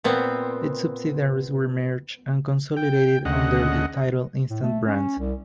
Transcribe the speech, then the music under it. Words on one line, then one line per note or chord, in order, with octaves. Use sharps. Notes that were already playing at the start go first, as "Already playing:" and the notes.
Its subsidiaries were merged and consolidated under the title "Instant Brands".
A#2 B3 C4
G5
D2 C#3 D#5 F#5
A2
A3
C#4
C2